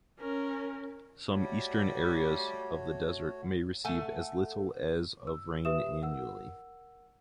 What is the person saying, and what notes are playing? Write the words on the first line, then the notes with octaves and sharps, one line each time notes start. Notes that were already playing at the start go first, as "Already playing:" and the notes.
Some eastern areas of the desert may receive as little as of rain annually.
C#4 A#4
G3 A3 F#4 C#5
A3 A4 F#5 G#5
E6
G4 B4 E5 D#6 E7
A#4 F#5 E6